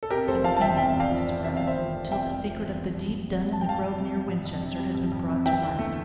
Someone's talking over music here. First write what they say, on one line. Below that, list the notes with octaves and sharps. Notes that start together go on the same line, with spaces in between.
"There will be no peace for us until the secret of the deed done in the grove near Winchester has been brought to light."
A4
C3 G4 A#4
F1 A4 C5
F3 F5 A5
A5
E2 E5 G5
C3 E5 G5
F1 D5 F5
F3
E2
C3 E5
F1 F5
C5 E5
F3
E2
C3 E5 G5
F1
F3
E2
G3
F2
F2
C3
G3
A5
F2 G5
F5 A5
F2
C3
G3
F2
F2
C3
G3
F2
F2
C3
E3 E5 G5
D2
A3